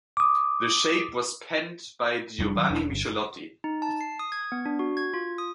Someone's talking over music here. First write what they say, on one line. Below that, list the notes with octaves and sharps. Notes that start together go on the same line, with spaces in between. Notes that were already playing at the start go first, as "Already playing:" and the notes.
The shape was penned by Giovanni Michelotti.
D6 D#6
F1 G3 C4 D4
D#3 F#3
E1 C#4 D4
G1
D#4
A5
C7
D#6
G#6
B3
D4
F#4
G#6
F4
D#6